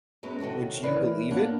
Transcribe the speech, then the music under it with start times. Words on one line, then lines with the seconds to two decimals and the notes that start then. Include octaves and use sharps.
Would you believe it?
0.23 F#2 F#3 G#3 B3
0.40 C3 D#3 F#4 A4 C#5
0.83 E3 A#4 B4 C#5 D5
1.31 A#3 B3 D4 A#4 C#5 F#5